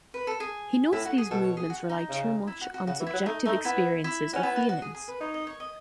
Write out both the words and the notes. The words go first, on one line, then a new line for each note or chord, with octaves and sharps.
He notes these movements rely too much on subjective experiences or feelings.
B4
A4
G#4
A2 E4
F#4
G#4
B2 A4
C#5
G#4
F#4
D#4
C#3
E4
F#4
F#4
C#3 F#4
E3
E4
F#3
A3 D#4
A3 D#4
B3 E4
E4
C#4 F#4
B3 E4
F#4
F#4
G#4
G#4
B4
D#4 C#5
D#5
C#5
D#5